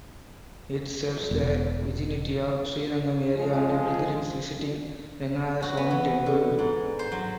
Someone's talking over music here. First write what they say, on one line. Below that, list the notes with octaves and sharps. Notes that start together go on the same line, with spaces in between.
It serves the vicinity of Srirangam Area and pilgrims visiting Ranganathaswamy Temple.
E1
F3 G#3
F#4
B3
E3
D3
G#2
C5
F#3